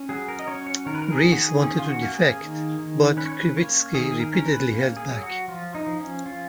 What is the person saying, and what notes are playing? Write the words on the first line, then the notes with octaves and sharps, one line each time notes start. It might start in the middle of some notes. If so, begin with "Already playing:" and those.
Reiss wanted to defect, but Krivitsky repeatedly held back.
Already playing: C#4
F#3 G#4
A#4
D#5
C#4 C#5
C#5
D#3 A#4
B4
A#4
G#4
D#3
F#4
G#4
C#4 G#4
F4
F#4
A#3
G#4
D#3
D#3
C#4 B4
C#5
B4
A#3 C#5
D#3 G#4
G#4
A#4
C#4
A#4
B4
A#3
G#4
F#3
F#4
F3 F4
D#4
F3
C#4
C#4 F4